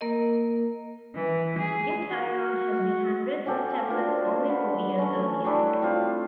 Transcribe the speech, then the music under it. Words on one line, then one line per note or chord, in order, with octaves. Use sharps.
Yet Eyraud had seen hundreds of tablets only four years earlier.
A#3 A#4 D#5
E3
G#4
F#4
C#4 F#4 G4 A4
D4 F4 C5
B4 F#5
A3 C#4
F#3 G3 D4 E4
C4 F4